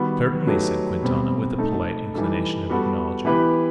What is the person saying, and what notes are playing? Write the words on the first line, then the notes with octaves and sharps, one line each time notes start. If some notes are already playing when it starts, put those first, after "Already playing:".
"Certainly," said Quintana, with a polite inclination of acknowledgment.
Already playing: D#3 G3 B3 F#4
F#3 A3 D#4 G4 B4
B2 G3 C4
A3 D#4 A4
E3 G3 D#4 A4
G3 B3 F#4 A4
E3 B3 E4 G4 B4